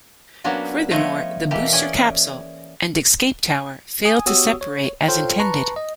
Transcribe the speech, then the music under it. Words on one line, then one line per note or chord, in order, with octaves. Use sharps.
Furthermore, the booster, capsule and escape tower failed to separate as intended.
F#3 A#3 B3 C#4 D4 F#4
F3 A3 B3 C#5 D#5
B2 E3 A#3 G4
C#4 G#4 D5 G5
G#5 D#6
B3 F#4 G4 C#5 D#6 E6
C#5
F4 A4 C5 C#5 F5 G5
B4 A5 A#5 C#6
D#5